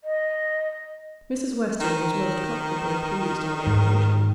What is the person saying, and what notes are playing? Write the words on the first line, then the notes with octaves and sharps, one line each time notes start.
Mrs. Weston was most comfortably pleased on the occasion.
D#5
D#3
G#2